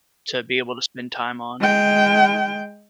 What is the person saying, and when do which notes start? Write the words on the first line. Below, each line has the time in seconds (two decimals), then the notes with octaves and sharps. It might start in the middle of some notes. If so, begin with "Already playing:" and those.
to be able to spend time on.
1.60 G#3 G5